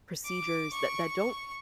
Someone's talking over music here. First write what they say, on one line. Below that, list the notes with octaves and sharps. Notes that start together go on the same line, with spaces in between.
procedures that that don't
D6
C#6